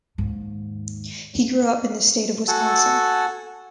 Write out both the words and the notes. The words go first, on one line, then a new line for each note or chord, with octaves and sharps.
He grew up in the state of Wisconsin.
D#2 G#2
F#4 A4 F#5 G#5 A5 E6